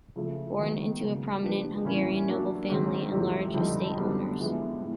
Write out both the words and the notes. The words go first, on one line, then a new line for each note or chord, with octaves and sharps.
Born into a prominent Hungarian noble family and large estate owners.
C#3 F3 A3
G#2 D#3 F#3 B3
C#3 F#3 A#3
F3 A#3 D4 G4 B4
A2 E3 G3 A#3 C#4
F#3 A#3 D4 F#4
G#2 D#3 G#3 C4
E2 C3 F3 A3 C4
F2 D3 G3 C4 D#4
F#2 D3 G3 B3 D4
F3 G#3 B3 E4
A2